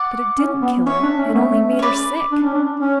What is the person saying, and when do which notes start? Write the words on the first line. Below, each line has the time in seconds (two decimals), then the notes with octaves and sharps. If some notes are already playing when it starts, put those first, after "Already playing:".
But it didn't kill her; it only made her sick.
Already playing: D5 F#5
0.39 C#4
0.62 B3
0.86 C#4 C#5 E5
1.03 D4
1.19 C#4
1.29 A3
1.34 B3
1.51 A3
1.67 C#4
1.79 C#5
1.82 B4 D5
2.32 D4
2.43 C#4
2.54 D4
2.80 C#4